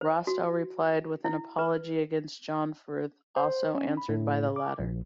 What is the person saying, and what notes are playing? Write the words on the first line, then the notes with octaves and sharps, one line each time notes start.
Rastell replied with an "Apology against John Fryth", also answered by the latter.
C5
F#4
E4
B4
C5
C#4
B5
A2
D6
A#1